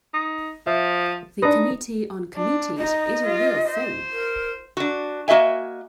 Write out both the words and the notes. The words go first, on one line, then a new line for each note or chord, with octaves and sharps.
The Committee on Committees is a real thing.
D#4
F3 E5
D4 D#4 B4
D4
D#4 D#5
F4
C5
A#4
D4 F#4
A#3 F#4 D#5 E5 G#5